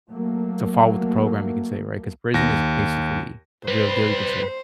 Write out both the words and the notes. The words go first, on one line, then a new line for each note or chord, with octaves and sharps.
to follow with the program, you can say, right? 'Cause prison is basically the real deal, you can say.
F#3 A3 A#3
D#2 A#6
G3 C4 B4 C5